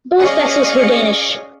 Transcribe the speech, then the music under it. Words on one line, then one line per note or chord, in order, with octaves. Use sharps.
Both vessels were Danish.
C#4 G#4 D5 D#5 F5 C#7